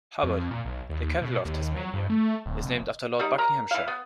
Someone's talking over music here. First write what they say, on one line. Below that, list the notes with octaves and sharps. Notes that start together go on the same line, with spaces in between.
Hobart, the capital of Tasmania, is named after Lord Buckinghamshire.
F2
A#2
B1
D#2
B2
D#2
F#3
G2
A3
D1
F1
G3 A#3 D#4
A#4 A#5
E3 F5
B3